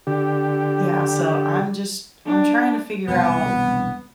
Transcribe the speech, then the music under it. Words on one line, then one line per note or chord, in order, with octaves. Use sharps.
Yeah, so, I'm just I'm trying to figure out
D3 G4
D4
E1 C2 G#3 B3